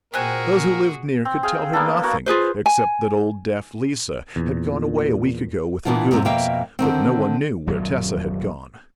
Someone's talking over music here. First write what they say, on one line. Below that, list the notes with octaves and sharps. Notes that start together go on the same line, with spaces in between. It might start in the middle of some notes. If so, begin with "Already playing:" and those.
Those who lived near could tell her nothing except that old deaf Lisa had gone away a week ago with her goods, but no one knew where Tessa had gone.
A#2 C4 F#4 G#4 A#4 G#5 F#6
C4
G#4 F5 G5
A#3 B3 D4 A4
A#3 F#4
F4 G#4 B4 C5
G#5
E2 A#2
A#2 E3 B3 D4 E4 F4
D#2 G#2 C3 C4
F2 B2 A#3 E5 F5 G5
D3 D#3 C4
D#1 F#2 F#3